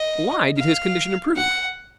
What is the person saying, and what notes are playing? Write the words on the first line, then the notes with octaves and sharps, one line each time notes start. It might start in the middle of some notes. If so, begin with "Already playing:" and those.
Why did his condition improve?
Already playing: D#5
F5
F#5